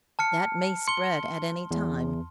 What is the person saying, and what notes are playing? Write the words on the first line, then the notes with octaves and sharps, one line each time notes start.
That may spread at any time.
A5 F6 C#7
C6 C#7 G7
E2